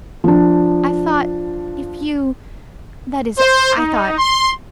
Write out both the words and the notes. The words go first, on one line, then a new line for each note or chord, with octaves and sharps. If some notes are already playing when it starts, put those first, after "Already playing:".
I thought if you ... that is I thought ...
F3 D4
C5
D#4
C6